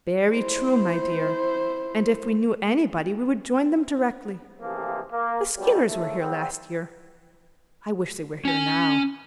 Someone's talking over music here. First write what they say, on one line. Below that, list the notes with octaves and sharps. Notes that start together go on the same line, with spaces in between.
"Very true, my dear; and if we knew anybody we would join them directly. The Skinners were here last year--I wish they were here now."
E4 C5
A1 C3 E3 F3 A#3 G#4
A#3
G#2 B2 F#3 G3
D#2 A2 A3
E2 B3 C4
C#4 G#5